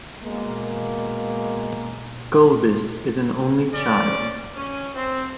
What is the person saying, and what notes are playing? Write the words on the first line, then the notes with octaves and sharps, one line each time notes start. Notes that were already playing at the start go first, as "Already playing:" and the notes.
Gulbis is an only child.
B2 G#3 A#3
C#4 D5
C#4
C4